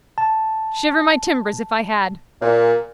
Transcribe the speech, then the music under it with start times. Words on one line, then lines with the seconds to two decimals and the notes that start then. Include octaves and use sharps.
Shiver my timbers if I had.
0.18 A5
2.41 A#2